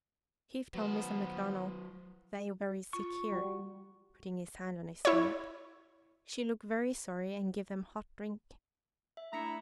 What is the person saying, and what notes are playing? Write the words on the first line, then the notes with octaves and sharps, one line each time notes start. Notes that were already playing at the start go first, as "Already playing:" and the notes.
Chief tell Missa McDonald they very sick here,"--putting his hand on his stomach--"She look very sorry and give them hot drink.
F#3 B3 C5
F4 C#6
G3 F#4
E4 C#5
E5
A3 D4 E4 A#5 B6 C#7